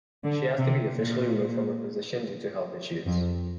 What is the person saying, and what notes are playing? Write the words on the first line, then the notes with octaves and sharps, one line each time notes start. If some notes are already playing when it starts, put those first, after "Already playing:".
She asked to be officially removed from her position, due to health issues.
D3
C3
A#2
F2